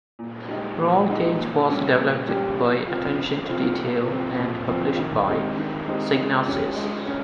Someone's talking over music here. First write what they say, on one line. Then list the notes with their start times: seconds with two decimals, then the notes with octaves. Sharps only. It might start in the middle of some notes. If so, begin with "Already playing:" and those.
Rollcage was developed by Attention to Detail, and published by Psygnosis.
0.19 A#2
0.48 G#3 D#4 G4
0.78 A#2
1.08 G#3 D#4 G4
1.39 A#2
1.68 G3 C#4 G4
1.98 A#2
2.28 G3 C#4 G4
2.59 F3
2.88 C4 F4
3.18 F3
3.48 C4 F4
3.78 A#2
4.08 F3 C4
4.38 A#2
4.67 F3 C4
4.97 D#3
5.27 G#3 C4 D#4 G4
5.57 D#3
5.87 G#3 C4 D#4 G4
6.17 G#3
6.47 C#4 G4
6.76 G#3
7.07 C#4